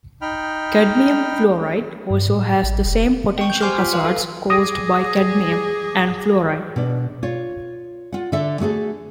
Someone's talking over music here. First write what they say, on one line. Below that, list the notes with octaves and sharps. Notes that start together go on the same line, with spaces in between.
Cadmium fluoride also has the same potential hazards caused by cadmium and fluoride.
D#4 G5 B5 F6
G2
A2
A1
F1
G5 C#6
G6
G4 C5 G#5 C6 D6 F6
F4
B4 F5
A4
G#4 D6 D#6 A#6
B2 D4
F4 C#5
F4 F#5
D3 D4 A4 E5
A3 F#4 G#4 A4